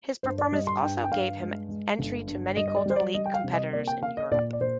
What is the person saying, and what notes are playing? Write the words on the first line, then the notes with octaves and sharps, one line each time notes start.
His performance also gave him entry to many Golden League competitions in Europe.
G2 C5
D5
G3 D#5
C6
G2 G5
G5
G2 F5
G#3
G#3
G1
G2
G3 D#5
D#5
D5
G3 C5
D5
G3 D#5
G5
F5
C3
D#5
A#3 D5
G5
A#3 F5
D#5
A#2 D5
D5
A#2 C5